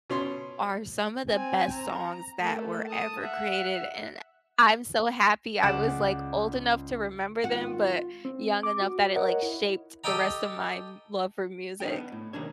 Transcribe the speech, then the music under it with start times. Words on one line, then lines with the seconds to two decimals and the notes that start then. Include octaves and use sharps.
are some of the best songs that were ever created, and I'm so happy I was, like, old enough to remember them, but young enough that it, like, shaped the rest of my m love for music.
0.10 B2 C#4 C6
1.30 C4 G#5
1.74 A#5
2.40 A3 A#3
2.88 A5 D#6
3.21 E5 F#5
5.63 C#2 D5 F#5 E7
7.44 G#1 F4 F#4
8.25 C4
8.63 D6
8.81 F#4
9.16 A#4 C#5 D#5 F#5
9.42 E4
10.04 G4 A4 D#5 G5 A#5
11.80 D4 D#4 D#5 G5
11.96 B3
12.12 A2
12.33 C3 D#3 A#3 D4 C#5